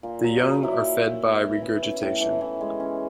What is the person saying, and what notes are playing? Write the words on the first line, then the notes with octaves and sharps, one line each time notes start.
The young are fed by regurgitation.
A#2
F#3
F#3
E4
A#2
A#2
E4
B3
E3
C#4
A2
E3
E3
G#3
C#4